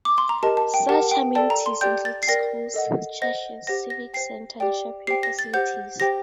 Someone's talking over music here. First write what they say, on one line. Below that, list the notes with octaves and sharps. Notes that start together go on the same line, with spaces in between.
Such amenities include schools, churches, civic centre and shopping facilities.
D6
C6
A#5
G4 A#4 D#5 A5
A5
G5
G4 A#4 F#5 A5
G5
A4 D5 G5 A5
A#5
C6
G4 D5 G5 G6
A6
C7
A#4 D5 G5 A#6
A4 D#5 F#5
C5 D#5 F#5 A#6
G4 C5 F#5 A#6
A#6
C5 G5 C7
G4 D5 G5
G4 C5 G5 C7
A#6
A6
G4 C5 F#5 G6
G4 C5 G5 A#6